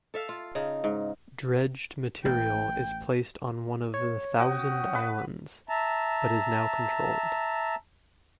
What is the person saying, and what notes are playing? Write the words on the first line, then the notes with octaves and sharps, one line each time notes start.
Dredged material is placed on one of the Thousand Islands, but is now controlled.
A4 E5 F5
F4
C#3 D#4
G#2
A1 G5
C#5
C#4 F#4 G5 D#6
B4
E5 A5 A#5